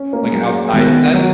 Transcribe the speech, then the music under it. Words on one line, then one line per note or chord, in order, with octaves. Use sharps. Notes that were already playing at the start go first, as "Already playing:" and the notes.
Like outside of that y
Already playing: C#4
A#3
G#3
F#3
D#3 G#3 B3 F#4 A#4
F#3